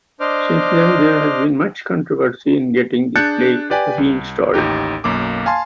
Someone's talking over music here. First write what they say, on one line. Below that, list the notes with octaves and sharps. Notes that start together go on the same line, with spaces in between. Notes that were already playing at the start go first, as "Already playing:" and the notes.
Since then there has been much controversy in getting the plaque reinstalled.
D4 C5 D#5 D6 F6
D4 G#4 F#6 G6 A6 C#7
G4 B4 D5 G5 G#5
C2
A1 D#2 D#4 G4
B1 F#2 A#3 D6
F5 G#5 A5 C6